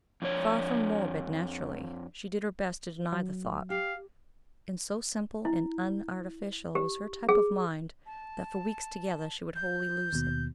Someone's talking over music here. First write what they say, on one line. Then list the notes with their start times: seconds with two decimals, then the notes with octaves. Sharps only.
Far from morbid naturally, she did her best to deny the thought, and so simple and unartificial was her type of mind that for weeks together she would wholly lose it.
0.22 F2 D4 C#5
3.12 F#3
3.70 G4 F5
5.45 E4
6.75 G4
7.29 G#4
8.06 A5
9.56 G6
10.13 D#2 B2